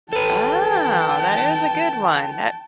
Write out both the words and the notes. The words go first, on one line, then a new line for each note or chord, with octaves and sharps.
Oh, that is a good one, that
A4 B4 G5 A5